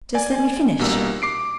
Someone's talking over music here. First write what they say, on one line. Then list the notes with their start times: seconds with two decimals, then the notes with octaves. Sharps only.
"Just let me finish."
0.14 D5 G#5
0.79 A#1 B2 G3 A#3 D#4 E6
1.22 D6 C7 D7